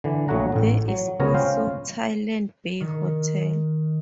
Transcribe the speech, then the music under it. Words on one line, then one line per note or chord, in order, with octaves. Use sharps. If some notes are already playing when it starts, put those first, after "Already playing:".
There is also Talland Bay Hotel.
D3 E3 D4
A#1 F#3 A3 C#5 F#5 A#5
A1 A2
F#3
C#2 C#3 B3 A#4 C#5 A#5
C#4 F4 C5 F5 G5
D#3